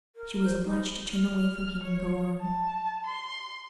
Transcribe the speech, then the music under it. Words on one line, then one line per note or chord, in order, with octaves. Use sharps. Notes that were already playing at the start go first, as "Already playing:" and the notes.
She was obliged to turn away from him and go on.
A#4
C5
D#4
F6
C#5
A5
C6